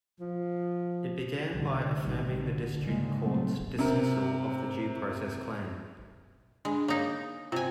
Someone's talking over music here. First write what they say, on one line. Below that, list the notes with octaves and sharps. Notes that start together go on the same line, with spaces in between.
It began by affirming the District Court's dismissal of the Due Process claim.
F3
C2 A2 D3
A1 D#2 D#3 G3
D3
G#2 C#3 G3 G#3 A#3
A#2 F#3 G3 A3 C4
C3 A#4
G#3 D4
A#3 D#4 C#5
C3 F4 G#5